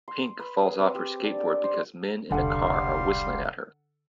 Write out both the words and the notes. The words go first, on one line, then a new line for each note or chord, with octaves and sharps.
Pink falls off her skateboard because men in a car are whistling at her.
C6
B4
G#4
C4
G4
D4
G5
C5
E1 C2 D3 G3 A4 F5 F#5 C6